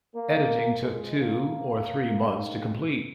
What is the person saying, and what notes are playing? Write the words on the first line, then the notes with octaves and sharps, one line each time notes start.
Editing took two or three months to complete.
A#3
F2 F3 G#3
A#3
G#2 D#3